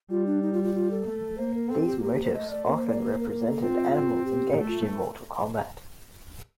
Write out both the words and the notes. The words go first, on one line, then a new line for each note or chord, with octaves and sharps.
These motifs often represented animals engaged in mortal combat.
G3 F4
D4
D#4
F4
F4
F4
A4
A3
A#3 C5
A#4
C4 A4
G4
F4
A#3 G4
G4
C5
A3 D#5
D5
A#3 A#4
C5
D5
C5
A#4
A#3 A#4
A4
C4 F4
C4
G4
A3
F4